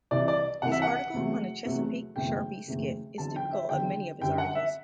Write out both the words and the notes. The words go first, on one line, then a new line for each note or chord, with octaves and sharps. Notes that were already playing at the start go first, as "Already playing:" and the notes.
His article on a Chesapeake sharpie skiff is typical of many of his articles.
C2 C3 E3 D5
D5
C2 C3 E3 F#5
E5
F#5
E2 C3 F#3 A3
E2 C3 F#3 A3
F#1 E2 B2 A3 G5
F#1 E2 B2 A3
E2 D3 F#3 A5
G5
E5
E2 D3 F#3 G5
F#2 D3 G3 G5
F#5
E5